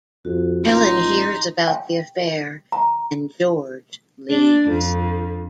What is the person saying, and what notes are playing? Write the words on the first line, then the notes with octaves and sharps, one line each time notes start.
Helen hears about the affair and George leaves.
F2 F#4
A1 D#4 F4 C6
G5
A#5
D4
F2